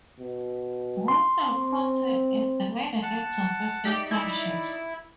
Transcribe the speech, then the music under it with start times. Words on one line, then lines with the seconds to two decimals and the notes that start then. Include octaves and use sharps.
Wilson County is divided into fifteen townships.
0.20 B2
1.08 C6
1.51 C4
3.02 F#5 A5
3.85 D#4 G4 D5 E5
4.11 E4